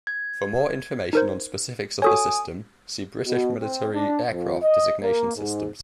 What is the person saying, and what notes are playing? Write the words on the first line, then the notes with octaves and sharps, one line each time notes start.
For more information on specifics of the system, see British military aircraft designation systems.
G#6
D#4 A#4 C5
F#4 A4 C#5 G#5 D#6
B2
C4
D4
F2
D#5
A#3
G#2